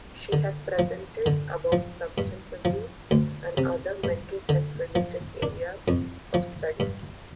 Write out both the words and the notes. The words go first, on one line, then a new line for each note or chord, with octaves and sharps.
She has presented about substance abuse and other mental health-related areas of study.
D3
F3
D3
F3
G2
F3
D2
C3
G2
D3
F3
D4
F2
F3
G2